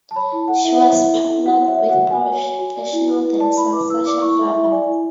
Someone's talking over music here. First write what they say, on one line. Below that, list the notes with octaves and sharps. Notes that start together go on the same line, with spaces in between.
She was partnered with professional dancer Sasha Farber.
A5
C#5 B5
E4 A5
A4 F#5
E4 E5
F#5
C#5 E5
E4
A4
E4
F#4 F#5
C#5
E5
C#5
F#4 F#5
F#4 G#5
C#5
C#5
F#4
D5
E4
B4
E4
D5 A5
E4 B5
B4 D6
E4 E6
D5 D6
E4 C#6
A4 E5
E4 E5
D5 G#5
E4